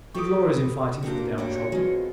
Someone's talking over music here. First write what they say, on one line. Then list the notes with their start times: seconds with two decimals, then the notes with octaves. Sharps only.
He glories in fighting for the downtrodden.
0.14 G4 A4 B4 C#6 D#6
1.03 A#3 D4 F#4 G4 A#4 C5
1.38 D4 F#4 G4 C#5
1.72 B2 D3 G#3 C4 F4 F#4